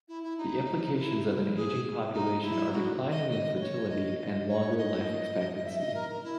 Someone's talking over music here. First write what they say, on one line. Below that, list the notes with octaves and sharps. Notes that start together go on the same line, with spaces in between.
The implications of an aging population are declining in fertility and longer life expectancy.
E4
E4
D#4
E4
G#4
D#4
E4
F#4
D#5
D#5
B4
C#5
D#5
D#5
C#5
D#5
D#5
E5
D#5
A#4
A#4
E4